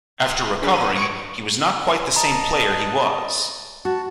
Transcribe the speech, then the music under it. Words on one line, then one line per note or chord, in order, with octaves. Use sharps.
After recovering, he was not quite the same player he was.
G#3 F4
F2 D4 G#4 B4
D3 F3 D#7
C#5 D#5 C#6 C#7 D7
D#5 A5 A#5
A#5
F#4 F#5 A5